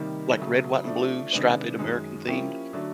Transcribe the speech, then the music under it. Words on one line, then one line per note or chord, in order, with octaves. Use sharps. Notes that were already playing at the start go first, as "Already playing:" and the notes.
like, red, white, and blue, striped, American themed.
Already playing: C3 D#3 G3 A#3 D#4
C#3 F#3 A3
F3 A3 D4
C3 D#3 G#3 B3 D4
F#2 D#3 G#3
F3 A#3 C#4 E4 G4
D3 F#3 A3 D4